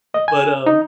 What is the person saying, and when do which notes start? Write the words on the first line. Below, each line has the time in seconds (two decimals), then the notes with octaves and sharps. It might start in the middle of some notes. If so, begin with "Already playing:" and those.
But, um
0.14 D#5
0.28 G#5
0.66 D#4